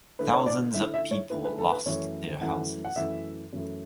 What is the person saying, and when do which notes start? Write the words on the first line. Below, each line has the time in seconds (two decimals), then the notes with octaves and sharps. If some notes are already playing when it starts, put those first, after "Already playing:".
Thousands of people lost their houses.
0.19 D3 A3 E4 B4
0.33 C#5
0.46 D5
0.74 D3 A3 E4 E5
0.94 E5
1.11 C#5
1.30 D3 A3 E4 B4
1.45 B4
1.58 A4
1.72 B4
1.86 F#2 E3 A3 E4 C#5
2.41 F#2 E3 A3 E4 F#5
2.85 F#5
2.96 F#2 E3 A3 E4 E5
3.53 F#2 E3 A3 E4